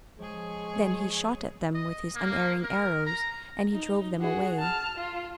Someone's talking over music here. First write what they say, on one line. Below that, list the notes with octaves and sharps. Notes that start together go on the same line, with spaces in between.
Then he shot at them with his unerring arrows and he drove them away.
F3 G#3 G#4 C#5
D#5
A#3
A#4
A#5
D#4
F#4 G#4
A5 F6
F4